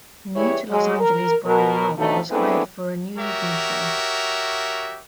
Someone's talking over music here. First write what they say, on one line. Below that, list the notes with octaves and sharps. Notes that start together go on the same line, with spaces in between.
New-to-Los Angeles Brian Long was hired for a new evening show.
E3 G3 E4 G#4 C#5
F#3 G#3
A#4
B2 A#4
F2 B2 D3 F#3 A3 D#4
G#3 A3 B3 C4 D4 E4
F#4 G4 A#4 C#5 E5